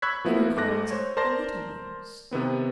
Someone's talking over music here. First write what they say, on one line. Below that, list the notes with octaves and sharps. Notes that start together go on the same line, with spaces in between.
They were called "The Little Rooms."
B5 C#6 E6 F#6 G#6 B6
F3 B3 E4 F#4
G#2 A3 D6 F#6 A#6
C5 C#5
A#4 C5 D5 A5 C6 A#6
C3 D#3 B3 C4